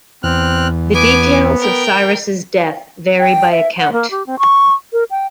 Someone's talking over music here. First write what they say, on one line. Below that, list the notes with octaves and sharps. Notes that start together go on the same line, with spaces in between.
The details of Cyrus's death vary by account.
E2 C4 F6 F#6
B3 G#5 D6
A#4 G5
G5
E5
F#5
A#3
G4
C4
C#6
A#4
G5